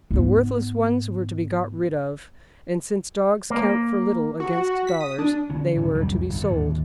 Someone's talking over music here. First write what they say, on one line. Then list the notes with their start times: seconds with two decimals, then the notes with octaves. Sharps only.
The worthless ones were to be got rid of, and, since dogs count for little against dollars, they were to be sold.
0.11 G#2 B3
3.50 A#3
4.40 F#4
4.53 F#4
4.68 F#4
4.87 B6
5.01 D#6
5.19 D4
5.50 D3 C#4
5.76 A2 D3 D#3 C#4
5.94 C2 F2 F#3 G3
6.29 G1 G2
6.42 D#2 A2 D3